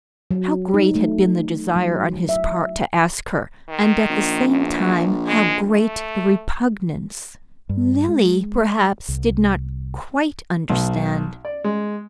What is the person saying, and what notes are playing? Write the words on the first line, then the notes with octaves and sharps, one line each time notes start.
How great had been the desire on his part to ask her, and, at the same time, how great the repugnance, Lily, perhaps, did not quite understand.
F#3
D#4
A3
F#3
E5
D#3
A#1
E2
G#3
A3
G2
G#3
C2
B1
D5
G#3